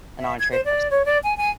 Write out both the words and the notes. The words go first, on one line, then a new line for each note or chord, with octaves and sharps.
an entrée first.
E5
G#6
C5
D5
C#5
D5
G#5
G#5